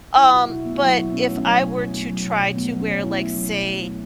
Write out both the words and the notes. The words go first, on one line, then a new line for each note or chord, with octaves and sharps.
Um, but if I were to try to wear, like, say,
F#3 E4
B2 F#4
B2 E4
A3 B3
F#4
F#3 E4
B2 E4
B3
B2 C#4
A3
C#4
F#3
B2
B2
A3
F#3
B2
B2
A3 B3
F#3
C#4
B2
B2 E4
A3
F#3
B2
B2
A3